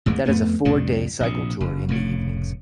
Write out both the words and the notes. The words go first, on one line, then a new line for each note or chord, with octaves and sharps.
That is a four-day cycle tour in the evenings.
A1 D#2 E3 G#3
F2 A3 B3
C2 F2 A2 D3
A#1 C3
F#1
F1 A2 C#3